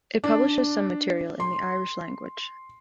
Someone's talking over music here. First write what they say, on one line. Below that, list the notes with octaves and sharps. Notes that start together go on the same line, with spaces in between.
It publishes some material in the Irish language.
D4
C6